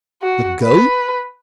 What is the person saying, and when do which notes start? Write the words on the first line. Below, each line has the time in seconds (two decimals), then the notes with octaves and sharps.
"The goat?"
0.22 F#4
0.64 B4